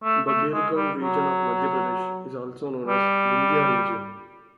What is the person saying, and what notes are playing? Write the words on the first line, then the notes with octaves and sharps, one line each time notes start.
Bagelkhand region of Madhya Pradesh is also known as Vindhya region.
A3
A3
G#3
G3
F#3
G3